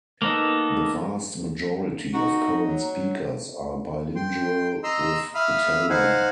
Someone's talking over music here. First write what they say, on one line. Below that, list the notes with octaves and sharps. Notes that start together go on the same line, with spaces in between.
The vast majority of current speakers are bilingual with Italian.
A#3 B3 D#4 A4
D#4 F#4
F#3
G5 C6
D#5 A#5 C6 E6
E5 F5 B5 D#6 F6
D#4 C5 F5 F#5 G#5